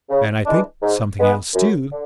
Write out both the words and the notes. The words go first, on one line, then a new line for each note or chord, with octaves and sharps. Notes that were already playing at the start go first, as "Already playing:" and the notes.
"And I think something else, too."
C#3
E3 G#3 D4
G#2
G#3 B3
F#2
D3